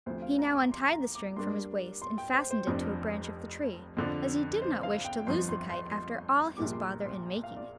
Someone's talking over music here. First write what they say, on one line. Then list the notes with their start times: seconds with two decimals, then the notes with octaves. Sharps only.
He now untied the string from his waist and fastened it to a branch of the tree, as he did not wish to lose the kite after all his bother in making it.
0.06 D2 C3 F3 C5
0.22 F5
0.39 A#5
0.55 D6
0.72 C6
0.93 A#5
1.15 D6
1.36 G2 G3 A#3 D4 C6
2.02 C6
2.18 G5
2.34 C5
2.51 C5
2.67 F1 F2 F3 D4
3.97 F2 D3 F3 D4
4.62 C5
4.83 F5
5.05 G5
5.27 G1 F2 F3 C6
5.49 C6
5.70 C6
5.91 C6
6.57 A#1 A#2 G3 D6
6.73 C6
6.90 A#5
7.05 C6
7.44 F5
7.57 D5